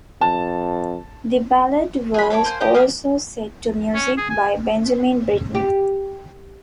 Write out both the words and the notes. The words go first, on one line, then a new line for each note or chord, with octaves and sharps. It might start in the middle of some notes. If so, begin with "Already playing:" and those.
The ballad was also set to music by Benjamin Britten.
F2 A5
G#4 A#4 B5
A4 C#5 F#5 D6
A#3 C5 G#5
G4 D#5 G5
A#3 G4 G#4 A#4
C#4
G#4
G#5
G4